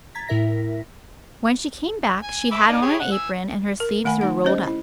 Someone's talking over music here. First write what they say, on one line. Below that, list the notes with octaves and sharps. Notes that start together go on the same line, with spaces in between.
When she came back she had on an apron and her sleeves were rolled up.
A#5 G#6 A6 B6
A2 E4 A#4 E5 A#6 B6
G#5
E5 B5 D6
D4 D#4
G4 G#4 C#5
F#5
G#5 E6
A#4
D#3 A3 F#5 G#5 B5
D#4 F#5
C#4 G4 C5 D#5
E4